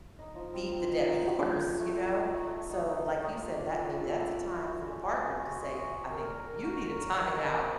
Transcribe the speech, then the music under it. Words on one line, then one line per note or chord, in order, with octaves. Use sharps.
beat the dead horse, you know, so, like you said, that maybe that's a time for the partner to say, "I think you need a timeout,"
D#4
F3
C4
C4
D#4
D#4
F3
F3
C4
A3
A3
D#4
A3
A3
D#4
A3
A4
D4
F4
D4
D4
A4
A4
A4
F#4
F#4
G#3
G#3
G#3
F#4
G#3
F#4
F#4
A#4
D4
A#4
F#4
A#4
D4
D#5
G#4
C4